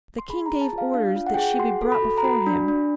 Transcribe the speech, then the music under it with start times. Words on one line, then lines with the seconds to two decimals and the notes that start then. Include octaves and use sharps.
The King gave orders that she be brought before him.
0.19 C6
0.29 G#4 B5
0.46 A#5
0.51 G#4
0.61 A5
0.72 F4
0.78 F5
0.94 D4 F5
1.16 F4
1.27 F#5
1.34 G5
1.37 G#4 F#5
1.59 F#4 C6
1.82 A4
1.92 B5
2.02 F#4
2.18 A#5
2.24 F#4 B5
2.47 D4
2.68 D4